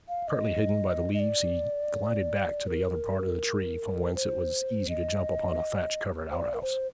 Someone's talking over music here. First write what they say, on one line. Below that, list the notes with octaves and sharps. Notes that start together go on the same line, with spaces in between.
Partly hidden by the leaves he glided back to the other part of the tree, from whence it was easy to jump upon a thatch-covered out-house.
F5
D#5
D#5
D5
A#4
C5
D#5
C5
D5
A#4
C5